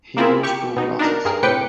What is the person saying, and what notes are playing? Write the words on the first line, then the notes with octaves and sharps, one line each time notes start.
He used two classes.
A#3 C4 E4 F4 G#4 A#4
G4 C#6
B2 D#4
D4 D#4 A#4
G2 G#4 A#4
A2 C3 B4 G5 D6 C#7